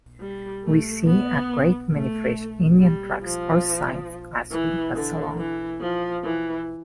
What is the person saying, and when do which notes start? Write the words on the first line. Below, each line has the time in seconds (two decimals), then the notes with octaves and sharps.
We see a great many fresh Indian tracks or signs as we pass along.
0.20 G3
0.64 A3
1.06 B3
1.93 A3
2.79 G3
3.23 F3
4.51 E3
4.94 D3
5.37 E3
5.81 F3
6.24 E3